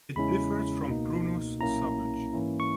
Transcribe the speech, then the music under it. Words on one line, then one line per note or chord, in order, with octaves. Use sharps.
It differs from "Prunus" subg.
E2 C#3 G#3 C#4 E4 B5
C#2 B2 A#3 D#4
B1 A#2 A#3 C#4 E4 A#5
G#2 E3 A#3 C#4 E4
C#6